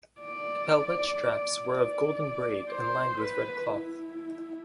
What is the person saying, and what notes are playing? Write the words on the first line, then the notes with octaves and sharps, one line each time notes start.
Epaulette straps were of golden braid and lined with red cloth.
D5
D5
D5
C5
B4
E4